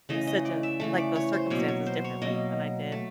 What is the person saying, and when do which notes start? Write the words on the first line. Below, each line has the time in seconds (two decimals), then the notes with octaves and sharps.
situa like, those circumstances differently than I did
0.09 C#3 E3 A3 D#5
0.27 D#5
0.45 D5
0.63 E5
0.80 C#3 E3 A3
0.98 D5
1.16 C#5
1.33 C5
1.50 B2 F#3 A#3 C#5
1.68 C#5
1.87 C5
2.04 C#5
2.22 B2 F#3 A#3 D#5
2.92 A3